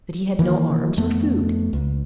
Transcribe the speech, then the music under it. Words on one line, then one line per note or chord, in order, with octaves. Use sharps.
But he had no arms or food.
D#3 E3 G#3 A#3
F2 A3 B3
C#2